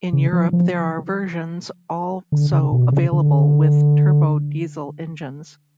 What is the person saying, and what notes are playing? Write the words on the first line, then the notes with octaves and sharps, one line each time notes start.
In Europe there are versions also available with turbo diesel engines.
C#3
F3
F3
D3
C#3
B2
C#3
D3